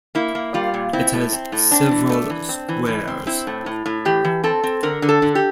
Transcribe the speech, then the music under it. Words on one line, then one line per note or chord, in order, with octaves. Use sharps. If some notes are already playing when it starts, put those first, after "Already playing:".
It has several squares.
A#3 E4
A#3
G3 F4
A#2
C4 E4
A2
C4
A2
C4 D4
E3
A3
E3
C4
E3
E3
C4
C4 E4
A2
A2
A2
E3 G4
E3
C4 A4
C4
D3 A#4
D3
A4
D3
G4